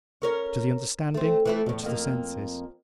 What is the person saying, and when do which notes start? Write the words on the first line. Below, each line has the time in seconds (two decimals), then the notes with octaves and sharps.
To the understanding or to the senses?
0.22 C#4 A#4 C#5
1.14 A3 C4
1.45 E3 A3 E4
1.66 E2 A2
1.83 F2 A#3